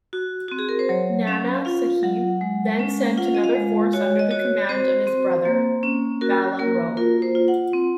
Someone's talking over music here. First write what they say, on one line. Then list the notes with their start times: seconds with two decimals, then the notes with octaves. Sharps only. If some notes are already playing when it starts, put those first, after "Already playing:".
Nana Sahib then sent another force under the command of his brother, Bala Rao.
0.13 F#4
0.48 C4 F#4
0.59 G#4
0.69 A#4
0.79 C5
0.89 F#3 C#5
1.27 C#4 F5
1.65 F4 F5
2.03 F#3 F#5
2.41 G#3
2.79 C#4
3.17 F4 F#5
3.26 F5
3.35 D#5
3.44 F5
3.55 G#3
3.93 F#4 C#5
4.19 D#5
4.31 F#4 C#5
4.69 C4 C5
5.07 C4
5.45 A#3
5.83 C#4
6.21 F#4 A#4
6.59 A#3 A#4
6.97 F4 A#4
7.22 C5
7.35 F4
7.48 F#5
7.73 C4